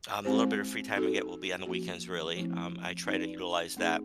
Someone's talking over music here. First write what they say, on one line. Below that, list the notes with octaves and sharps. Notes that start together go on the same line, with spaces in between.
um, a little bit of free time I get will be on the weekends, really, um, I try to utilize that
G#3 C4 E4 G4 C5
C4 D#4 F#4 A4
F3 A#3 C#4 F#4
F3 A3 C4 E4
C4 D#4 G4 B4 D5
A3 C4 D#4 G#4